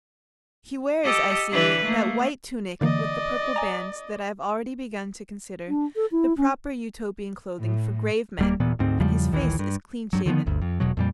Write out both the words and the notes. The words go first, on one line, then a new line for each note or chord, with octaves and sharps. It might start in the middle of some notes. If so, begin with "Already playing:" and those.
He wears, I see, that white tunic with the purple band that I have already begun to consider the proper Utopian clothing for grave men, and his face is clean shaven.
G4 A4 D#5
D3 E3 B4
A3 A#3
D3 E3 A#3 D5 D#5
G#5 A#5
D4
A4
E4
C#4
A2
D1 G3 A#3
D#1 A#2 E3 B3
D2 G#2 C4
E2 C#3 F3 G3
A#1 D#2 D#3 E3
G2
G2 F#3
D3 D#3 F3 B3
G1 D2
F2
E1 B2 F#3
F2 A#2 G3